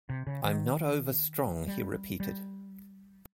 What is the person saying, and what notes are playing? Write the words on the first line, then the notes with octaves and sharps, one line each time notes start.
"I'm not over strong," he repeated.
C3
C#3
D#3
G3
G3